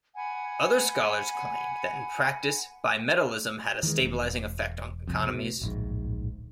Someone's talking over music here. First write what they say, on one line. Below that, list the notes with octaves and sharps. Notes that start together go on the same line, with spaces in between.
Other scholars claimed that in practice bimetallism had a stabilizing effect on economies.
F#5 G#5 B5
D#3 E3 F#3 G#3
E1
C2 F2
B2
D1 A#1 G#2